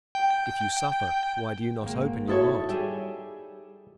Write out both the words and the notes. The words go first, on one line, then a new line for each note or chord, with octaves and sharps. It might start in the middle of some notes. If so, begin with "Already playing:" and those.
If you suffer, why do you not open your heart?
G5
G#1 A#3
D#4 E4 F#4 A4 C#5
G3 G#4 E5 G5